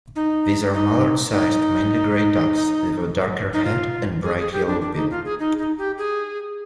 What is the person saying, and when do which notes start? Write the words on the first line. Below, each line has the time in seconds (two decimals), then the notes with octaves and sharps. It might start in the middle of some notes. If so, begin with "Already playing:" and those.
These are mallard-sized mainly grey ducks with a darker head and bright yellow bill.
0.16 D#4
0.74 D#4
1.32 D#4
3.53 D#4
3.64 F4
4.23 G#4
4.38 G#4
4.52 G4
4.67 D4
4.81 D4
4.95 D#4
5.10 F4
5.25 G#4
5.39 D#4
5.58 D#4
5.78 G4
5.98 G#4